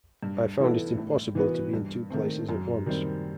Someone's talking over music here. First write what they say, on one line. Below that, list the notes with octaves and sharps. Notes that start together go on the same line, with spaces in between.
I found it impossible to be in two places at once.
G2
E3 B3 E4 A4
A2
E3 B3 F#4 B4
G2
D#3 A3 C4
F#2
D#3 G3 C4